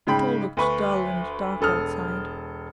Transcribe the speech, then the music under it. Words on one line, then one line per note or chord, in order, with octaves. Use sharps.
It all looked dull and dark outside.
G#2 C#3 G5 B5
D2 B4 C#6
E1 A4 D#6 F6